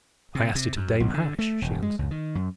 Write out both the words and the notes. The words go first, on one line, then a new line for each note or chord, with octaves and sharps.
"I asked it of Dame Hatch," she answered.
C3
C3
F#2
B1
D3
A3
E1
G#3
C#2
D#3
F#2